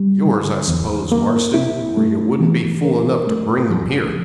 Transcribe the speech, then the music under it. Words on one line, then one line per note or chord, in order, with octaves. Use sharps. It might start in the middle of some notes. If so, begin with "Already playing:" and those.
Yours, I suppose, Marston, or you wouldn't be fool enough to bring them here.
Already playing: G3
D3
E2
A#3
E4
A3
E3
A#4
A3
F3